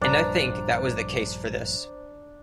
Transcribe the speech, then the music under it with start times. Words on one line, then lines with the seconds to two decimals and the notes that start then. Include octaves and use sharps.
And I think that was the case for this.
0.01 A#1 G2 D4 C5 A#5